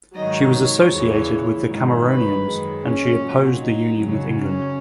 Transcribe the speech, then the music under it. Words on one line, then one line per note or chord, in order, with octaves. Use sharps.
She was associated with the Cameronians and she opposed the union with England.
G#2 D#3 F#3 D#5
C#5
E2 C#3 E3
G#2 D#3 F#3
B4
F#2 D#3 G#3
C#4
A#2 F#3
D#4
F#2 C#3 F#3
C#4